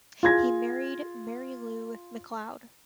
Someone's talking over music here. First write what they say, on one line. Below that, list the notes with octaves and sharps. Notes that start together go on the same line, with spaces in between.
He married Mary Lou MacLeod.
F4 G#4 G#6 A#6